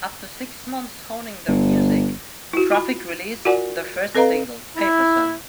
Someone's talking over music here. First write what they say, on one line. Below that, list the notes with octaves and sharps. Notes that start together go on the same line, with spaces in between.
After six months honing their music, Traffic released their first single, "Paper Sun".
G1
E4 F#4
F4 B5
F4 F#4 A#4 D5 F#5 G#5
C4 A4 B4 D#5 F5 A#5
E4